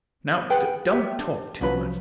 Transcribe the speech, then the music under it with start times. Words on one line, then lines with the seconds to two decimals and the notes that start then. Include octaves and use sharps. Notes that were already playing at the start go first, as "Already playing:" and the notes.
Now don't talk too much.
0.50 G#4 B4 F#5 G5
0.91 F#4 G4 E5
1.19 D4
1.61 C2 F3 F#3 C#4 B4